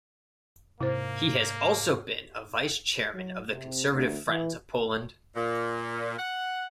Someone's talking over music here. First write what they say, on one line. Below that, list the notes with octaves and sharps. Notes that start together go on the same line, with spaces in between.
He has also been a Vice-Chairman of the Conservative Friends of Poland.
G#2 C3 A#3 E4 C5 F5
F#3
C3
D2
E3
A#2
F#5